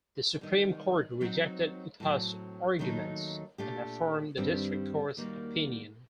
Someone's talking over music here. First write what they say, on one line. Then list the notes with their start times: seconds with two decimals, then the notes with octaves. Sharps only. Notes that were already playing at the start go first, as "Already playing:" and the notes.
The Supreme Court rejected Utah's arguments and affirmed the district court's opinion.
0.41 C3 D#3 G3
1.21 F#3 C4 D#4 F#4
2.00 A2 F#3 C4
2.79 D#2 D#3 F#3 A3 D#4
3.58 A#2 A3 D4 G4
4.37 G2 D#3 G3 C4 G4
5.17 D#2 D#3 G3 A#3 F#4